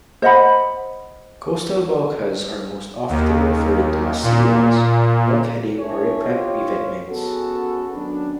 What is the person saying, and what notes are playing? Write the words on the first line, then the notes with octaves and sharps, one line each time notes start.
Coastal bulkheads are most often referred to as seawalls, bulkheading, or riprap revetments.
C5 D#5 F#5 B5
D#2
A#2
D4 E4 G#4 A#4 C#5
C4 F4 G4 C5 C#5
B3 C#4 F#4 G#4 A4
D#3 F#3 B3 C#4 D4